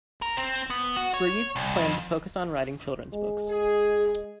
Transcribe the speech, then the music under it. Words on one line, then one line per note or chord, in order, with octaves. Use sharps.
Breathed planned to focus on writing children's books.
A#4
C4
B3
F#4
C#5
C2
F2
G#3
G#4